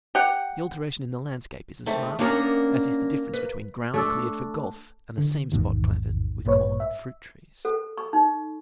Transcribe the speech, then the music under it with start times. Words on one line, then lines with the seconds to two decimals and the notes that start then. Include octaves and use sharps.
The alteration in the landscape is as marked as is the difference between ground cleared for golf and the same spot planted with corn and fruit-trees.
0.15 G4 F#5
1.86 G#2 A3 C4
2.19 A#3 B3 C#4 D4 A#4
3.34 B4
3.94 A3 D4 A4
5.18 D3
5.52 A1 E2 G#2 B2 D#3
6.45 A1 G2 A#2 B4 C#5
6.80 E5
7.65 A4
7.98 C#6
8.13 D#4